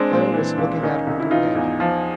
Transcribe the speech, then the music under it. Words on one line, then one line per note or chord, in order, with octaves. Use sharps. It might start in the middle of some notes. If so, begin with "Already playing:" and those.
Claire was looking at her companion.
Already playing: G#3 C4 D4
A#2
E3
C#2
D#3 C#4 D#4
C2
E4
E3 D#4 F4
E2
F3